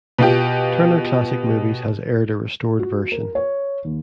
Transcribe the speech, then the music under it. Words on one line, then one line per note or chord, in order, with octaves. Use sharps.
Turner Classic Movies has aired a restored version.
B2 F4 G4
F#4
A#4
C#5
D#2